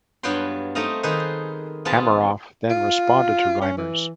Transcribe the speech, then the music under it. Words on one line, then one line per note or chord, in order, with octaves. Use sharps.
Hameroff then responded to Reimers.
G2 F#3 B3 F4 G5 C6
A3 C4 D#4 D#5 F5
D#3 D#4 G#4 A4 B4 C5
B3 C4 F4 G#4 A5
F4
C#4
E3